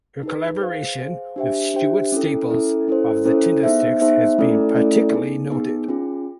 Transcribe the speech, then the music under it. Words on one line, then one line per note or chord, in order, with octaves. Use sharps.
Her collaboration with Stuart Staples of the Tindersticks has been particularly noted.
D#4 G#4 B4
G#4 C5 F5
G#4 C5 F5
D4 G4 C5 E5 G5
D4 G4 C5 E5 G5
C#4 E4 A4
C#4 E4 A4
C#4 E4 A4 C5
C#4 E4 A4 C5
B3 D#4 G#4 C5 E5
B3 D#4 G#4 C5 E5
A3 C#4 E4 A4 D5
A3 C#4 E4 A4 D5
B3 D#4 G#4
B3 D#4 G#4
C#4 F4 G#4